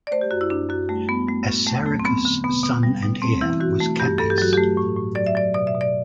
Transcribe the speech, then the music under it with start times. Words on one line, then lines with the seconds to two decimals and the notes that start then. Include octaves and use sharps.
Assaracus' son and heir was Capys.
0.07 D5
0.11 A3 C5
0.21 G4
0.31 F#2 F#4
0.41 E4
0.50 F#2 D4
0.69 F#2 F#4
0.89 G3 A3
1.09 G3 B3
1.28 G3 A3
1.47 A2
1.66 E2 A3
1.86 F#3 A3
2.00 C4
2.05 F#3 B3
2.25 D3
2.44 B2 B3
2.64 B2
2.83 G3
3.03 B2
3.22 A3 C4
3.41 E3 E4
3.60 E3 F#4
3.80 A3
3.99 G2 G4
4.18 G2 A4
4.30 G4
4.38 F#3 F#4
4.53 A3 G4
4.77 A2
4.96 A2
5.15 F#3 D5
5.27 E5
5.35 F#3 D5
5.54 B2 D5
5.67 E5
5.74 B2
5.81 D5